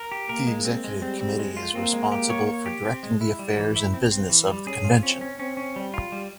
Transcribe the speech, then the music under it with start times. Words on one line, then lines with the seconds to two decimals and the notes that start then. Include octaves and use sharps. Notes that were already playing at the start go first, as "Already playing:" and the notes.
The executive committee is responsible for directing the affairs and business of the convention.
Already playing: A#4
0.12 G4
0.29 A#3 A#4
0.47 G#3
0.65 C4
0.84 G#3
1.02 G3 C4
1.21 C4
1.39 G#3
1.57 F4
1.74 A#3 C4
1.93 G#3
2.12 G4
2.30 C#5
2.47 C#5
2.66 G4
2.85 C4
3.03 G#3
3.21 E4
3.39 G3
3.58 E3
3.76 E4
3.94 C4
4.11 C4
4.30 E3
4.48 G3
4.66 C#4 G#4
4.84 F4
5.03 C4 C#4
5.21 C#4
5.39 C4 C#4
5.57 C#4
5.76 G3
5.94 F4
6.12 G3